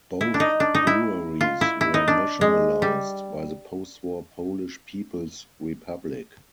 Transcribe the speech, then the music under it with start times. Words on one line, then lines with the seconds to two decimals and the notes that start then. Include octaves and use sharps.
Both breweries were nationalized by the post-war Polish People's Republic.
0.21 E4
0.34 D4
0.40 D#4
0.60 D4
0.75 D#4
0.87 E4
1.41 F4
1.61 E4
1.81 E4
1.94 D#4
2.08 D4
2.41 G#3
2.82 G3